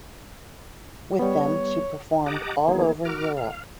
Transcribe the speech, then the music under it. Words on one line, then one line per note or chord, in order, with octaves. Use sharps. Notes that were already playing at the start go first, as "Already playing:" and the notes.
With them she performed all over Europe.
G3 B3 C#5
G4 D#5 F#5 A5 A#5 D6
D#3 E3 A#3 B3 G#4
F#4 A#4 D6 F6
F5